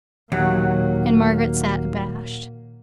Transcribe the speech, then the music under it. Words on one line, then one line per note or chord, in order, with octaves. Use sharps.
And Margaret sate abashed.
D#2 A#2 F#3 A#3 F#5 F#6